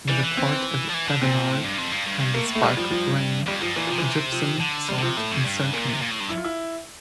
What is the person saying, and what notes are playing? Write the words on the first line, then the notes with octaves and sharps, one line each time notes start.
The port at Thevenard, handles bulk grain, gypsum, salt and zircon.
E3 G3
E3
C4
F3
E3
D3
A#2 C4
A2
G2
F2
G2
G2
G2
A2 A#3
A3
G2 G3
F3
F3
F2 G3
G2 F3
A#2 E3
C3 F3
D3 E3
C3
F3
D3
C3 G3
D3
C3 F3
A2 A3
F2
G2
A#2 A#3
C3
A#2
A2
G2
E4
F4
E4